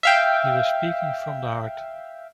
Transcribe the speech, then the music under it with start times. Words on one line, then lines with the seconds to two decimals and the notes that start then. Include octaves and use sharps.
He was speaking from the heart.
0.03 E5 F5 G5